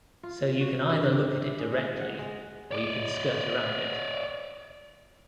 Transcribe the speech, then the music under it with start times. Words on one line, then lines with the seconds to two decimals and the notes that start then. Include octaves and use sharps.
So you can either look at it directly or you can skirt around it.
0.23 F4
0.60 F#4
0.90 G2
1.12 G4
1.42 E5
1.59 G#4
1.72 G#3
2.00 F#5
2.19 G#3
2.71 C#5 D5